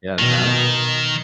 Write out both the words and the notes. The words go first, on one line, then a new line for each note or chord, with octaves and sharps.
Yeah, and now
B2 D#3